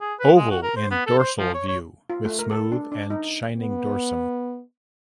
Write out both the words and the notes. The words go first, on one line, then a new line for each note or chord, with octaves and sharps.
Oval in dorsal view with smooth and shining dorsum.
G#4
B4
G#3
F#4
A#4
C5
B3
A4
C5
F3
C#5
C#5
F4
A3
A#4
A4
D4
D4
D#4
B3